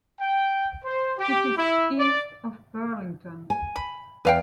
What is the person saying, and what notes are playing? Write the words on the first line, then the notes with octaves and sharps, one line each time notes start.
It is east of Burlington.
G5
C5
G4
E4
D5
G#5
B5
E2 B4 F5 G5